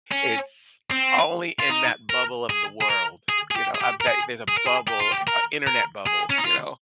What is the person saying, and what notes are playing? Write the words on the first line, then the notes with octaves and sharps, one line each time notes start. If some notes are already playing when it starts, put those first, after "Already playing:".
It's only in that bubble of the world, you know, of that there's a bubble, uh, Internet bubble, you know?
C#4
C4
F4
D#4
A#4
G#4
G#4
A#4
G#4
G#4
G4
G#4
G4
A#4
G#4
G#4
A#4
G#4
G4
F4
G4
A#4
A#4
G#4
C#4
D#4
F4